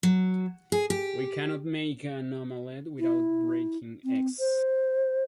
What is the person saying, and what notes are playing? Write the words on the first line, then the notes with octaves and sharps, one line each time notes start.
We cannot make an omelette without breaking eggs.
F#3
G#4
G4
E4
C4
C5